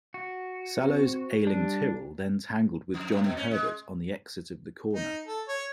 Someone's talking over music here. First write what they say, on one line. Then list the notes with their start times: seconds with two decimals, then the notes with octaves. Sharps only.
Salo's ailing Tyrrell then tangled with Johnny Herbert on the exit of the corner.
0.14 F#4
0.81 C4
1.47 G3 D4
2.94 F2
3.12 A2
3.24 B2
3.37 C#4
3.51 G#3
4.93 D#4
5.27 A4
5.48 C#5